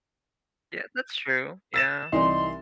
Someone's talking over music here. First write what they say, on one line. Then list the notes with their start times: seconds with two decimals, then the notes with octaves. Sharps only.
Yeah, that's true, yeah.
1.74 E6 A6 E7
2.12 C2 E3 D#4 D5 C6